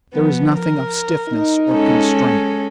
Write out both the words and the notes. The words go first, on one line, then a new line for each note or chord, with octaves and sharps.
There is nothing of stiffness or constraint.
F3 B3
A#4
D#4
G#3 C#4 A4